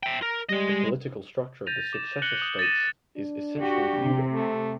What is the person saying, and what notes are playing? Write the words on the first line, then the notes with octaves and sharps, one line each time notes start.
The political structure of the Successor States is essentially feudal.
E5 G5
A#4
G3 G#3 D#5
G6 A6 A#6 D#7 F7
D6 E7
F#6 A#6 C#7 F#7 G7
D#6 F#7
A6 A#6 D#7 E7
D4
F#4 G4
C3
A3